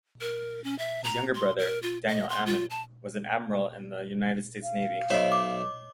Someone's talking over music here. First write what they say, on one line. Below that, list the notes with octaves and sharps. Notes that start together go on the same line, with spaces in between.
His younger brother, Daniel Ammen, was an admiral in the United States Navy.
A#4
C#4
E5
A#5
C6
A#4
F4
D#5
C6
F4
A5
F5
B1 C5 C#5 D#5 E5
D6